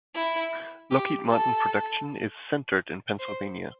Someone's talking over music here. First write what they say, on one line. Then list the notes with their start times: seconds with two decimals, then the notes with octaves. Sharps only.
Lockheed Martin production is centered in Pennsylvania.
0.15 E4
0.91 G4
1.29 A4
3.19 C5